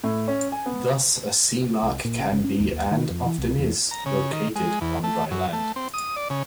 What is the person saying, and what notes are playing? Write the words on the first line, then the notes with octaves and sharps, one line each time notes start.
Thus a sea mark can be and often is located on dry land.
A2
C#4
G#5
B3
C2
A#2
C#3
C#3
C#4
D#2
D#2
D#3
F2
E3
C2
E2
A#5
C#3
D#3
G#3
E2
A3
F#2
A3
C4
D#6
D5
C#3